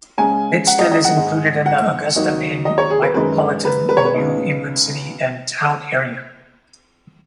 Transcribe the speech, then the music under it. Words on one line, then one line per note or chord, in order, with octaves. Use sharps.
Pittston is included in the Augusta, Maine micropolitan New England City and Town Area.
C#3 G#3 C#4 G#5
F#5
D#5
D#5
F#5
G#2 G#3 D#4
F#5
D#2 D#3 F#3 D#4
D#5
C#5
G#4
B4
F#2 D#3 G#3 B4
B4
B4
C#5
B4
C#2 B2 B3 D#4